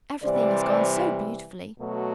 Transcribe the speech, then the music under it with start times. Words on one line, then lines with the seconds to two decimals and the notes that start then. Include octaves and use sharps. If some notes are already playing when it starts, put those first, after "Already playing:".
Everything has gone so beautifully.
0.23 C3 E3 G3 C5 D5
1.80 B2 F#3 A3